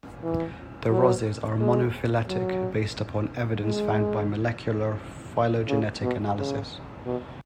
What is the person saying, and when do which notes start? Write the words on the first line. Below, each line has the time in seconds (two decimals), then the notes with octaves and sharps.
The rosids are monophyletic based upon evidence found by molecular phylogenetic analysis.
0.23 E3
0.91 F#3
1.60 G#3
2.28 F#3
3.64 G#3
5.68 C#3
6.02 B2
6.37 C#3
7.06 B2